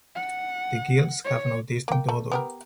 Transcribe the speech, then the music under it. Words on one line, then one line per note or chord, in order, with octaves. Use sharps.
The gills have no distinct odour.
F#5
C#5
A#3 G5
A3
B3 G4 A#4